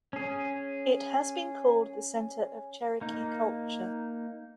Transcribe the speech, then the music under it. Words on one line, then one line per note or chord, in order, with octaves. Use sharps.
It has been called the center of Cherokee culture.
C#4 G#4
A#3 D#4